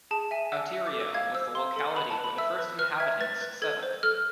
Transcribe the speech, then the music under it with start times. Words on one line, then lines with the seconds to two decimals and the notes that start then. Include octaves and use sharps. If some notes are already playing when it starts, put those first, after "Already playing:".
Outeiro was the locality where the first inhabitants settled.
0.11 G#4 A5
0.31 E5 G#5
0.52 E5 E6
0.72 E5 E6
0.87 D6
0.93 A4
1.00 E6
1.14 F5 G#6
1.35 C5 E6
1.55 F5 C6
1.76 A4
1.96 B4 B5
2.10 A5
2.17 B4
2.24 B5
2.38 E5 E6
2.58 B4
2.79 B4 F6
3.00 E5 G#6
3.21 B4 A6
3.41 B4
3.62 A4 G#6
3.83 C5
4.03 A4 F6